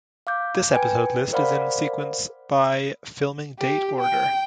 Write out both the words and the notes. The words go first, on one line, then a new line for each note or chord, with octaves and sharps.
This episode list is in sequence by "filming date order".
F5 D6 G6
B4 G5 G#5
A#4 C5 D5 F5 F#5 B5
G4
G5